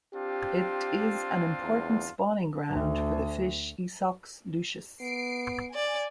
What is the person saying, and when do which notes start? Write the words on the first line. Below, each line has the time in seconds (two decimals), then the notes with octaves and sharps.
It is an important spawning ground for the fish "Esox lucius".
0.14 C4 D4 F4 G4
1.63 E2
2.69 D2
5.01 B3 C7 D7
5.73 D5 G#5